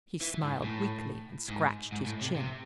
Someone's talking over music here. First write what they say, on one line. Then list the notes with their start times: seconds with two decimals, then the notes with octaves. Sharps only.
He smiled weakly and scratched his chin.
0.21 E3
0.43 G#2
0.64 A2
1.49 G#2
1.92 G#2
2.06 A2
2.21 C3
2.36 C3